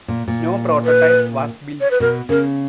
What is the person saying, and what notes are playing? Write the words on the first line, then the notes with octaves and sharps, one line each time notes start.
No prototype was built.
A#2
A#2
B4
C#5
B4
B2 A#4
C#3 A#4